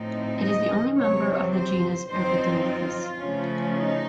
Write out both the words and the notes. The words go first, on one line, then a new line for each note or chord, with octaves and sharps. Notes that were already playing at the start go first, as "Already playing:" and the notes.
It is the only member of the genus Erpetoichthys.
Already playing: A2 F3 C4 D#4
D#5
C3 F#3 C4 C#5
C5
F#2 F3 C4 D#4 C5
F4
C#3 F3 A3 C#4
D#4